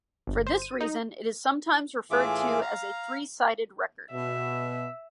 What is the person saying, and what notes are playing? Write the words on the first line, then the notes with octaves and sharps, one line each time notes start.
For this reason it is sometimes referred to as a "three-sided" record.
G1
C5
D#7
D#4
A2 E3 F4 G#4 E5 D6
F5 A#5
B2 E5